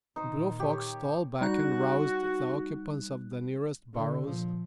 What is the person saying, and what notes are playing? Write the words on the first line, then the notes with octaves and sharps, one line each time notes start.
Blue Fox stole back and roused the occupants of the nearest burrows.
A#2 D#3 D#4 C5
G4 C#5
G3 D#4 F#4 F#6
D3
A#2 F3